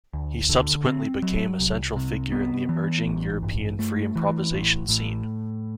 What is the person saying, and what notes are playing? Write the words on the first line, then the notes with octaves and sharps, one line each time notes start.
He subsequently became a central figure in the emerging European free improvisation scene.
D2
D3
C4
F#3
C2
C3
B3
E3
A1
G2
A3
E3
A1
A2